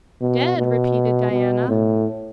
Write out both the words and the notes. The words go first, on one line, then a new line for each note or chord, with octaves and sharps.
"Dead?" repeated Diana.
B2
B2
B2
A2